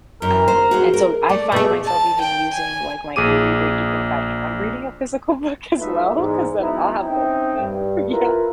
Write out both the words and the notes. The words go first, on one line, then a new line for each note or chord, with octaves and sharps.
um, and so I find myself even using, like, my e-reader, even if I am reading a physical book, as well, 'cause then I'll have both of them. Yeah,
F#2 A#4
C5
F#4 G#4 C5
A#4
A3 D5
B2 A3 G#4
A5
G5
G#5
A#1 G#4 D6 D#7
F#3 A3 D#4 F4 B4 E5
E2 G#2
E3 F#3 G#3 B3 D#4 E4
C4 C#4 D#4 E5 G5
G2
E4 F4 A#4 B4